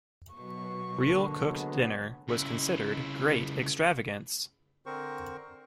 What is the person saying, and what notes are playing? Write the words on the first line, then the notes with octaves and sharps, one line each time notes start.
Real cooked dinner was considered great extravagance.
B2 F#3 C#6
D3 A#3
F#3 G#3 B3
C#2 E4
D3 C4 A#4 C5 C#6